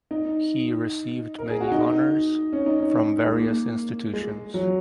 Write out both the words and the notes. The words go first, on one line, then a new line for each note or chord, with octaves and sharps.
He received many honours from various institutions.
D#4
A#4
G#4
F#4
D#4
C#4
D#4
C#4
G#3
A#3
G#3
F#3